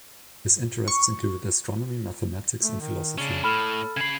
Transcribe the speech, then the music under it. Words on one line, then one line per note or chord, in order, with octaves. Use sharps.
His interests included astronomy, mathematics, and philosophy.
C#6
A3
D#3
C#3 C#4 D4
A2 A4 B5 F6
C#3 B5 G#6 C7